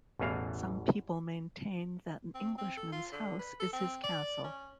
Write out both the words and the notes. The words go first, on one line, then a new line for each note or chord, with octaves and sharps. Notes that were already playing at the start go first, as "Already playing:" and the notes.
Some people maintain that an Englishman’s house is his castle.
A1 E2 B2 E3 F5
C4
C4
A4
F4
D3
B4
A4
C4
D5
C#4